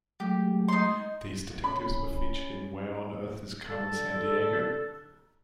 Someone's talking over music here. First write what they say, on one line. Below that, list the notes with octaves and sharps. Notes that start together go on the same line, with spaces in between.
These detectives were featured in Where on Earth Is Carmen Sandiego?
F#3 G#3 A3 G4
D#4 C6
C#4 B5
D3 A4